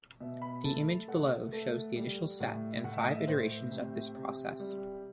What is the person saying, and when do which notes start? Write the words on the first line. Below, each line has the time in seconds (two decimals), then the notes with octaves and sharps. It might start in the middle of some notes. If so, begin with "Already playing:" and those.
The image below shows the initial set and five iterations of this process.
0.20 B2 E5
0.42 B5
0.64 A3 A5
1.08 A3 F#5
1.52 A3
1.96 G3
2.40 A2
2.84 A2 F#5
2.93 E5
3.02 D#5
3.11 E5
3.28 A2 C5
3.71 C3
4.16 C3
4.60 G3